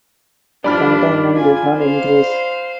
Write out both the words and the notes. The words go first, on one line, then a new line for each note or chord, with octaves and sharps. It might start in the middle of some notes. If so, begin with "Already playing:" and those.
Containment did not increase.
G2 F3 D4 D5 B5 F6
F4 G#5
C5 F5